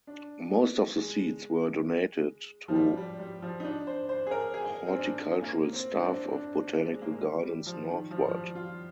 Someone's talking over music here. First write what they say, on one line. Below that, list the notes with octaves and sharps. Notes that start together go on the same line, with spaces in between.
Most of the seeds were donated to horticultural staff of botanical gardens northward.
D4
G#3
F3
G3
G3
G3
F3
D#4
D4
C5
C5
G#4
A#4
G#4
C4
D4
A#3
C4
D4
C4
D4
G#3
A#3
G#3
G3
G3
F3
D#3
F3
F3
G3
F4